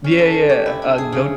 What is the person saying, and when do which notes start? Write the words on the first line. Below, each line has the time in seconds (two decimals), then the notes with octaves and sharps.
Yeah, yeah. Uh, Goyte,
0.04 C#4
0.19 A4
0.49 G4
0.66 E4
0.82 D4
0.98 G#4
1.12 C#3